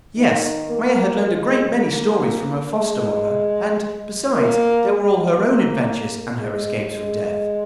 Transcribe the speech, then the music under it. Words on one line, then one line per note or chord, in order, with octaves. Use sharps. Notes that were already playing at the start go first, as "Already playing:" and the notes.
Yes, Maia had learned a great many stories from her foster-mother, and, besides, there were all her own adventures, and her escapes from death.
D#3
A#3
G#3
A#3
G#3
A#3
G#3
A#3
G#3
G#3